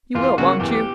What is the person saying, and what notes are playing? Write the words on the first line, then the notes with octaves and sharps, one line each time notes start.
You will, won't you?
E2 F4
C#3 F#3 A#3 C#4 F#4
E2 G4